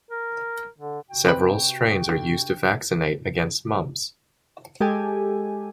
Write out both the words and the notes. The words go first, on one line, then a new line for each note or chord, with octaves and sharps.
Several strains are used to vaccinate against mumps.
A#4
D3
C3 F#4 G5
C4 B4
D3
G#3 G4 A4 G#5